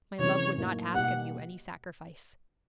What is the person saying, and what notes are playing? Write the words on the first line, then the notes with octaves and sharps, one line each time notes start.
My love would not ask of you any sacrifice.
C3 E3 G#3 C#4 C#5
A2 F#3 A#3 D#4
B2 G3 A#3 D#4 G4 F#5